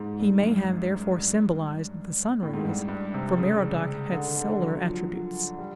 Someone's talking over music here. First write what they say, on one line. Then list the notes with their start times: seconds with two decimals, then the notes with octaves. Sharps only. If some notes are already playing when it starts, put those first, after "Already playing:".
He may have therefore symbolized the sun rays, for Merodach had solar attributes.
Already playing: G#2
0.19 G2
0.43 F#2
1.16 G2
2.43 A2
2.54 G#2
2.65 G2
2.88 G2
3.14 C3
3.38 C#3
4.12 D3
4.36 D3
4.62 F#3
4.85 F3
5.59 G3